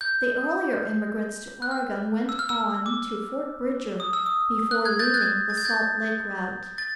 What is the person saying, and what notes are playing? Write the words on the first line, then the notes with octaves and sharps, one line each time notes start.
The earlier emigrants to Oregon went on to Fort Bridger before leaving the Salt Lake route.
G6
F#6
F6
E6
F6
E6
D6
D#6
E6
D#6
F#6
F#6 G#6
G6 A6
F#6 G#6
A6
G#6
G6 A6
A6